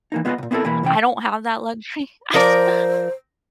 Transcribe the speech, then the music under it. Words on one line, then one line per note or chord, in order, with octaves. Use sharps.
I I don't have that luxury. I sta
E3 A#3 D#4
G#3 B3 F4 G4 B4 D#5
C2 A#2
B3 C4 E4 G4 A4 A#4
B2 E3 A#3 E4 B5
C3 E3 C#4 G5
F3 A#4 C5 D5